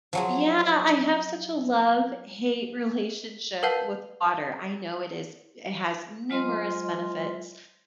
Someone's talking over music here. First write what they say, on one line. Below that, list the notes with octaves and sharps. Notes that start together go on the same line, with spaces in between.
Yeah, I have such a love-hate relationship with water, I know it is it has numerous benefits,
F3 F#3 G#4
A#4 B4 F5 F#5 A5 G6
F#3 G#3 F4 C5 D#5 C6